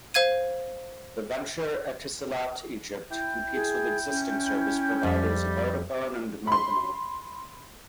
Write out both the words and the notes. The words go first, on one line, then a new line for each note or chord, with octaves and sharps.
The venture, Etisalat Egypt, competes with existing service providers Vodafone and Mobinil.
C5 F5 G#6 D#7
E4 G5
G#4
C#4
F2 G3 E5
B5 C6